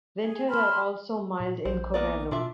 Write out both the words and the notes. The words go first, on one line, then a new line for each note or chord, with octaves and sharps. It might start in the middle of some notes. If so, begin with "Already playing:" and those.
Winters are also mild in Covelo.
G#4
A5 B5 C6 F6
A#2
A#1 C5
A#3 B3 D5
B2 D4 F4 E5